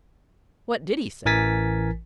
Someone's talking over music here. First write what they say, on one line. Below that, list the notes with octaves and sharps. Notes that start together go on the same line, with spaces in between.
"What DID he say?"
A1 E3 A#4 G#5 A6 B6